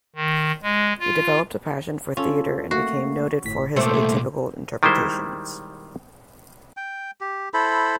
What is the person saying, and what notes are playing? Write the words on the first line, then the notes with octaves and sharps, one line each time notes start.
He developed a passion for theater and became noted for his atypical interpretations.
D#3
G#3
F4
C#4 F4 A4
A3 A#3 F#4 C7
G1 A2 B6
C2 A#2 A3 C5 C6 D6
D#3 G3 G#3 E4 C5
G5
G4
E4 A4 C5 B5